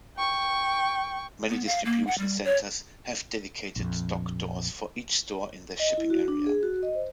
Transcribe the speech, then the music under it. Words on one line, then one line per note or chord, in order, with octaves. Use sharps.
Many distribution centers have dedicated dock doors for each store in their shipping area.
G5 C#6
B3
F5
A#3
F#5
G3
C#5
A#1 F2
D#5
E4
F#4
D4
G#4
F#4
D#5
C5